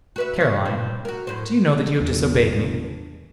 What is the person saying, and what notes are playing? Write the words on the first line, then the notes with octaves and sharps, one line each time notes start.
"Caroline, do you know that you have disobeyed me?"
F#4 B4 E5
F#4 C#5
G2 A#2 C4
F#4 A#4
F#2 A2 C5
G1 E2